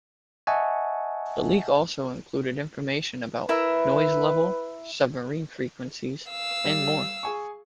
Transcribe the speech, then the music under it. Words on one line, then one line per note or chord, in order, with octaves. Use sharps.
The leak also included information about noise levels, submarine frequencies and more.
D#5 E5 F#5 G#5 A5 C#6
E4 A#4 B4 E5
F5 E6
G3
G#4 G#5 C#6